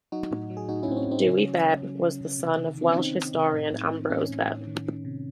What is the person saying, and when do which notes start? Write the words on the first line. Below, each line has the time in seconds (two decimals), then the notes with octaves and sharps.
Dewi Bebb was the son of the Welsh historian Ambrose Bebb.
0.12 F#3 D#4 F#4
0.31 A2
0.50 F#3
0.57 G#4
0.68 A2 D#4 F#4
0.83 C#4 E4
0.88 A2 C4
0.97 C#4
1.07 A2 C4 D#4
1.26 C#3 C#4
1.45 F#3
1.63 C#3
1.82 F#3
2.01 C#3
2.21 C#3
2.39 C3
2.58 D#3
2.78 D#3 C4
2.89 C#4
2.96 D#3 C4 D#4
3.15 D#3
3.34 C3
3.53 A2
3.72 A2
3.91 E3
4.10 A2 C#4
4.29 A2
4.48 A2
4.67 D#3
4.86 D#3
5.05 C3